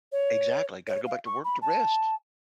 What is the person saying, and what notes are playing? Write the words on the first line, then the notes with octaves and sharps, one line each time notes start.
Exactly. Gotta go back to work to rest.
C#5
C#5
F5
C#6
B5
A5